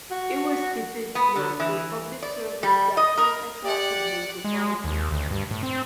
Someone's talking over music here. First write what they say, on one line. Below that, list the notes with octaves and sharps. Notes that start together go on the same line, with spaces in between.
It was Tibbetts' love for public service that first attracted him to politics.
F#4
B3
D3
E3
D5
G3
D#5
A#4
G4 D5 F#5
G#3
D#2
D2
G2
A2
C4